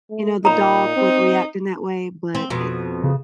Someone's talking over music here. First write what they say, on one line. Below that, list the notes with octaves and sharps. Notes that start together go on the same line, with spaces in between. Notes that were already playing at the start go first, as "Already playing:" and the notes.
you know, the dog would react in that way, but it,
A3
A#2 D#4 A#5 B5
C4
C4
F2 B2
C#3